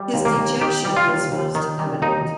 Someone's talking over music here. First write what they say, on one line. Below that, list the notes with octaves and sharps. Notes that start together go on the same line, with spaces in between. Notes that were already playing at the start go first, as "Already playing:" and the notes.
His dejection was most evident.
Already playing: G3
D#2
A#3
D#2
D#3 G4
G3
F4
D#2
D#2
D#3
G3
D#2 D#4